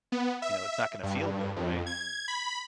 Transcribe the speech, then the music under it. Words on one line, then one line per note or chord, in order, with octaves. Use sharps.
you know, it's not gonna feel good, right?
B3
E5
G2
F2
G#6
B5